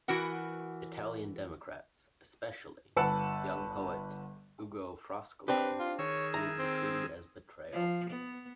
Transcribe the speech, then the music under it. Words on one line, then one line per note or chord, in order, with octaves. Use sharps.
Italian democrats, especially young poet Ugo Foscolo, viewed the treaty as a betrayal.
E3 F#4 A#4 F#5
G1 B4 F#5 A5 E6 C#7
C4 D4 G4 B4
F4
D#3 G#4 C#5 E6
E4 A#5
C4
F3
B3